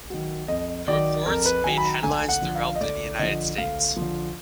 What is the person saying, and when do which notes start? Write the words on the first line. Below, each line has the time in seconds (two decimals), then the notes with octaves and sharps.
The reports made headlines throughout the United States.
0.10 D#3 F#3
0.48 F2 D#5
0.88 D#3 F#3 D5
1.26 F2 A#4
1.45 B4
1.64 D#3 F#3 G#5
1.78 B5
1.85 A#5
2.03 D2 G#5
2.29 F#5
2.41 D3 F3
2.55 F5
2.75 D#5
2.81 D2 D5
3.19 D3 F3 D#5
3.58 D2 F5
3.97 D3 F3